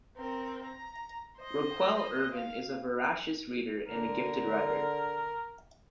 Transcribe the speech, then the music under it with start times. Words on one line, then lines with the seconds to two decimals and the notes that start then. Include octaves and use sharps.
Raquel Ervin is a voracious reader and a gifted writer.
0.17 C4 A#4
0.64 A#5
1.38 C5 D#5
2.34 F5
3.88 D3 A#4